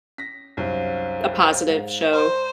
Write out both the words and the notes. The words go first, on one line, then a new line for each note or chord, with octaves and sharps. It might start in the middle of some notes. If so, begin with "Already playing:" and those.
a positive show.
C#4 A#6 B6
C2 F#2 F#3 D#4 C5 F5
G#2
C5 D5 A#5